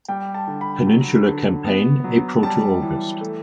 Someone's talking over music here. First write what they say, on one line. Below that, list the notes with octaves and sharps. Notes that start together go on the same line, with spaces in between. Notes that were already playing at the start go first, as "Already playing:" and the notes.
Peninsula Campaign April to August.
G3 G5
A5
D3
B5
F#3
D3
B3
F#3
G3 A5
E3
A3